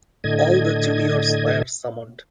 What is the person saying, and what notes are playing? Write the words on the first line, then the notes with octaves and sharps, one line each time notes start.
All the juniors were summoned.
A2 D3 D#5 G#6